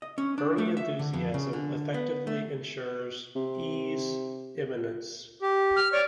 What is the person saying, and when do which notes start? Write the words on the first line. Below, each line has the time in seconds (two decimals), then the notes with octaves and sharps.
Early enthusiasm effectively ensures E's eminence.
0.02 D#5
0.18 C#4
0.38 D4
0.58 A3
0.77 E5
0.99 D3
1.14 F2
1.34 C#3
1.53 D3
1.94 B3
2.27 A3
3.36 C3
5.42 G4
5.76 F6
5.92 C#5 D5 C#6 F6